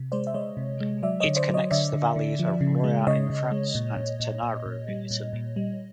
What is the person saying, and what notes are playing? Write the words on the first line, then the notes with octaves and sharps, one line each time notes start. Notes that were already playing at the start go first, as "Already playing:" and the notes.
It connects the valleys of Roya in France and Tanaro in Italy.
Already playing: C3
G#3 C5 D5
E5
G#3 C#5 D#5
C3
G#3
F#3 D5 E5
C#5 D#5
D3
C5 D5
F#3
C#5 D#5
D3 D5 E5
D3
D3
F3
C#3
G#3
C#3 C#5 D#5
C#3
G#3
A#2
A#2
A#2
A#2
A#2
G3
A#2
A#2
G3